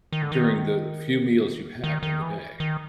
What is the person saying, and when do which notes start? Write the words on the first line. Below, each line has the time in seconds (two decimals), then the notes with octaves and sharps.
during the few meals you have in the day.
0.13 D#3
0.22 D3
0.32 D#3
1.84 D#3
2.03 D#3
2.22 E3
2.60 D#3